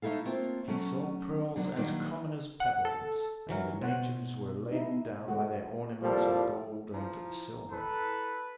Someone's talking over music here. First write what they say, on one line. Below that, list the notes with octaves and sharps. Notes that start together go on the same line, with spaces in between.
He saw pearls as common as pebbles, and the natives were laden down by their ornaments of gold and silver.
A3 D#4 E4 A4 F5
A3 A#3 C4 F4
F#3 A3 C#4
D3 F#3 D4
D#3 F#3 G3 A#3 D4
F#5
A4
E3 F#3 A#4
B2 C5 C#5 F#5
D#4 E4
G#3 A3 F#4
C2 A#2 F3 G3 A4
F3 E4 A#5
A4 B4